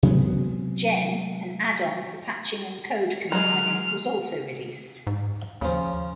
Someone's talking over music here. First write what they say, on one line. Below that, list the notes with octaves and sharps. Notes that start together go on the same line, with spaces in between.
Gen, an add-on for patching and code compiling was also released.
C3 F#3 G#3 B3
F#3 G#3 F6
G#2
D#2 C#3 F3